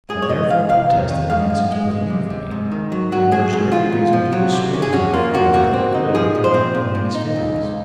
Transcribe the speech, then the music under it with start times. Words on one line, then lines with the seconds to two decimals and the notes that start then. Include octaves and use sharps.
I therefore protested against his putting in for me, and urged every reason to dissuade him from it that I could, without wounding his feelings.
0.09 G#2 G#4
0.22 C#5
0.29 G#2 D#5
0.50 G#2 F5
0.69 C3 F5
0.90 C3
1.10 D#3
1.30 G#3 F5
1.50 F#2
1.71 G#3
1.91 G#3
2.10 C3
2.30 C3
2.51 G#2
2.72 D#3
2.92 F#3
3.12 F#3 F#4
3.31 F#3 G#4
3.53 G#2
3.72 G#2 F4
3.92 G#2
4.13 F3
4.33 F#3
4.52 C3
4.74 C#4
4.82 G#4
4.93 C#4 F#4
5.13 A#3 F4
5.34 A#3 F#4
5.53 C3 F#4
5.73 C4
5.94 D#4
6.15 F3 G#4
6.35 A#2
6.44 C5
6.54 C4
6.75 A#2
6.95 A#2
7.15 D#4
7.36 C#2
7.56 C#2